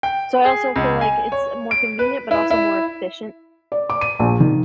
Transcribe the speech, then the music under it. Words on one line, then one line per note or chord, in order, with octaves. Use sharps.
so I also feel like it's more convenient, but also more efficient
G5
G#4
C#2
G#5
C#5
D7
B4
E4
E4
D5
D6
D#7
A#1
D#3